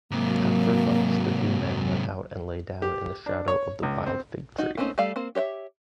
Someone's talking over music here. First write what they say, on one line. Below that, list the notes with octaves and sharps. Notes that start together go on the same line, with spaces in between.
After lunch the two men went out and lay down in the shadow of the wild fig tree.
G#2 C3 F#3 A#3
G4
D4
C#5
C#2
C4
D#4 F#4
A3 A#3 C4 C#4 D#4
G3 A3 A4 D5 F5
A#3 C4
G4 C#5 D#5 E5